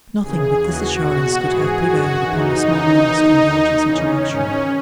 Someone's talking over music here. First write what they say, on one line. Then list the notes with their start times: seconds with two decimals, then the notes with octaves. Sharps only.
Nothing but this assurance could have prevailed upon the small nurse to indulge in such a luxury.
0.20 D#2 C#3 E3 G#4
0.61 D#2 C#3 E3 F#4
1.02 E2 B2 F#4
1.41 G#2 E3 G#4
1.82 F#2 D#3 F#4
2.23 D#2 C#3 E3 D#4
2.63 D#2 C#3 E3
3.04 E2 D#3
3.45 D#2 D#3
3.85 E2 C#3 E3 C#4
4.25 G#2 D#3 C#4